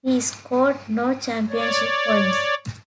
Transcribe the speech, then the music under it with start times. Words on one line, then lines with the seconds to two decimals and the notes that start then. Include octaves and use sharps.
He scored no championship points.
1.49 C#5 D5